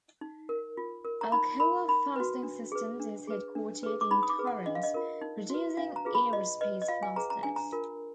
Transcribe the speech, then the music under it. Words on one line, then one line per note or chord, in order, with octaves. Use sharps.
Alcoa Fastening Systems is headquartered in Torrance, producing aerospace fasteners.
D#4
A#4
F4
A#4
A#5
D#4 B5
A#4 B5
D#4 B5
F#4 B4
D4
G#4 B4
D4
G#4 B4
D4
G#4 B4
D6
D#4 B5
D#6
D6
G#4 B4
F#5
D4 D#5
F5
D#5
F4 A#4
D#4
F#4 B4
D4 F5
A#5
F4 G#4 B4
B5
F4 D#5
B4 D#5
D#5
F4 F5
G#5
G#4 B4 A#5
A#5
D4 G#5
A#5
F4 A#4